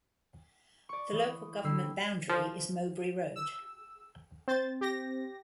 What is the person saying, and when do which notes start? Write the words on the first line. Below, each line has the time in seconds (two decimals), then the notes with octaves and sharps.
The Local Government boundary is Mowbray Road.
0.89 D5 C#6
1.12 E3 D#6
1.64 D3 G3 E6 C7
2.29 F3
3.36 E6
4.48 C4 C5 A6
4.81 G4 A#6